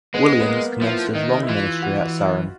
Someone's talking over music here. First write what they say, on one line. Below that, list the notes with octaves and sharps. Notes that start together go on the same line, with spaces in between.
Williams commenced his long ministry at Saron.
G#3 B3
B3
A#3
F3 E4
D#3 D#4
E4
E3 F4
F#4